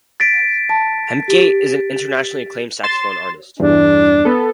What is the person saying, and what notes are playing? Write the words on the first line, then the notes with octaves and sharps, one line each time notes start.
Hemke is an internationally acclaimed saxophone artist.
A6 B6 D7
A5
G4
C6 A6 E7
E2 G2 D4
B3 A4